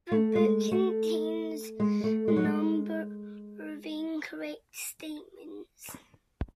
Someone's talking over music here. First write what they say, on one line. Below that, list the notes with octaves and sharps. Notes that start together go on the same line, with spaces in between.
The book contains a number of incorrect statements.
A3
G#3
A3
G#3
A3
G#3
F#3
G#3